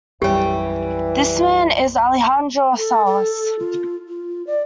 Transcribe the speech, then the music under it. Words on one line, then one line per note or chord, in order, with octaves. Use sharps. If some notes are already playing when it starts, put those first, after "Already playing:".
This man is "Alejandro Salas".
B1 F#2 E3 G3 G4 C#5 G5
A4
A4
F4
F4
D5